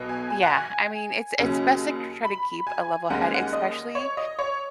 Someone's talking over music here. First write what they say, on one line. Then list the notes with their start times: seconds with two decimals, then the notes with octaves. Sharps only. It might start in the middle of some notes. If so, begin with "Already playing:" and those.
Yeah, I mean, it's it's bes a chr try to keep a level head, especially
Already playing: B1 B2 B3
0.09 G#5
0.30 G#5
0.43 F#5
0.54 G#5
1.39 D#2 C#3 F#3 C#4
2.24 B5
2.67 G#5
3.10 D#2 D#3 G#3 C#4 F#5
3.22 G#5
3.34 F#5
3.53 D#5
3.95 C#5
4.17 D#5
4.39 C#5